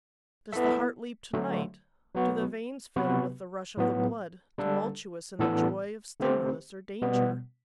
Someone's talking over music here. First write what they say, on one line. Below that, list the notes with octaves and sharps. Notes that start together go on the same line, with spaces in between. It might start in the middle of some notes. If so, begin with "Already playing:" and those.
Does the heart leap to-night, do the veins fill with the rush of the blood, tumultuous in the joy of stimulus or danger?
B3 E4 A4 E5
D3 F#3 A3
F#3 B3 F#4
C3 F#3 B3 F#4 B4
A2 F#3 B3
D3 G3 D4 A4
A2 E3 B3 D4 A4
D3 A3 C4 G4 C5
B2 G3 B3